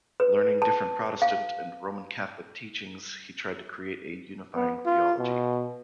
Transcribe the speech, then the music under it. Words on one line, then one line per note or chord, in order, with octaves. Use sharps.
Learning different Protestant and Roman Catholic teachings, he tried to create a "unifying theology".
B4
A5
F5
B3
F4
B2